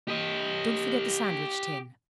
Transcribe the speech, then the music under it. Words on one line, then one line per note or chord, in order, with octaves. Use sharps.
Don't forget the sandwich-tin!
G4 D#5